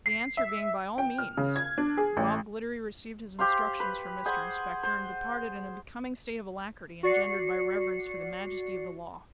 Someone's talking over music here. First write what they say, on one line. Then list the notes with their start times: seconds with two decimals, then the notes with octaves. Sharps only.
The answer being By all means, Bob Gliddery received his instructions from Mr Inspector, and departed in a becoming state of alacrity engendered by reverence for the majesty of the law.
0.06 C7
0.37 E5
0.98 G5
1.18 F6
1.37 C#3
1.56 G#6
1.78 D4
1.97 G#4
2.17 A1
3.39 G4 C5 F5 C6
3.80 B4
4.25 G#4 C5 F#5 G#5
4.83 C5
7.03 F#4 D5 C7 C#7